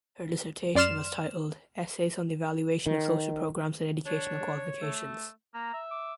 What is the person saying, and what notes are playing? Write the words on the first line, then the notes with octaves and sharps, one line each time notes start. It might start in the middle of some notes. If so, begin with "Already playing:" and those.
Her dissertation was titled "Essays on the Evaluation of Social Programmes and Educational Qualifications".
F#2 D5 C6 F6 E7
D#3
D4 C#5
A3
A#3 A#5
E5
D6